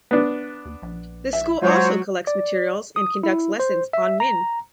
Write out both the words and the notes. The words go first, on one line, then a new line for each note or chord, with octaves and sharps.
The school also collects materials and conducts lessons on Min.
B3 D4
D#2
A#1
E5
F#3 G#3 F4 C5 C#5
D5
D#6
E4
C5
E5
A#5